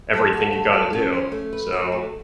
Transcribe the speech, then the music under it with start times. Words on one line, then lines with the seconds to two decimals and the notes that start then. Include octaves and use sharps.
everything you gotta do, so
0.13 A3 A5
0.33 F#4
0.53 A3
0.73 F#4
0.93 C#4
1.13 C#4
1.32 A3
1.53 B4
1.72 F#4
1.92 A3